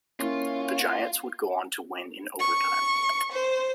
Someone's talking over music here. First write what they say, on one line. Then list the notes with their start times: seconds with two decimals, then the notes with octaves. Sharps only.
The Giants would go on to win in overtime.
0.20 A#3 C#4 E4 F4
2.39 C#6
3.32 C5